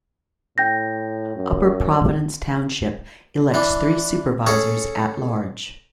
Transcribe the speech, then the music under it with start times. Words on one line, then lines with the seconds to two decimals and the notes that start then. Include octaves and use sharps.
Upper Providence Township elects three supervisors at-large.
0.58 A2 G5 G6 A#6
1.36 F#2
3.54 E3 D4
4.46 C#4 G#4 A4 C#5